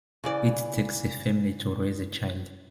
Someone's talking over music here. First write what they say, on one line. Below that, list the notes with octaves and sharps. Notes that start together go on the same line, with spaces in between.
It takes a family to raise a child.
C#3 E3 D5